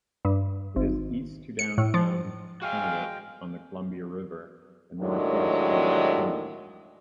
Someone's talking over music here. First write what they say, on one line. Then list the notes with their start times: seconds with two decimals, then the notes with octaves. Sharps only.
It is east to downtown Kennewick on the Columbia River and northwest to Yakima.
0.25 G2
0.76 G#1
1.59 C#7
1.78 A2
1.94 F3
2.62 G#3 F#4 F5 G5 G#5
5.00 D#2 A2 D#3 F#3 G#3 D4